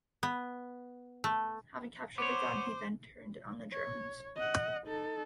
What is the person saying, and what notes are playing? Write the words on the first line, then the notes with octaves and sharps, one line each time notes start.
Having captured the gun, he then turned it on the Germans.
B3
A3
B3 C5 C#5 D6
C#5
D#5 F#5
D#4 A4